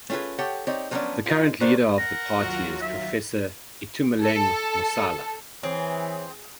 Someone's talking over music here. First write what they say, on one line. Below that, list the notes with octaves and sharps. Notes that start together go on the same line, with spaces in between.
The current leader of the party is Professor Itumeleng Mosala.
A3 C#4 F4 F#4 G#4 B4
G4 A4 C#5 F#5 G5
C4 D#4 G4 C#5 D5
F3 F#3 A#3 B3 C#4 D4
D#4 F4
G2 A3 D4 F4 A#4 C5
A#4 F#5 A#6
D#2 F#3 F4 F#4
E5
A4
E3 C4 G#4 C#5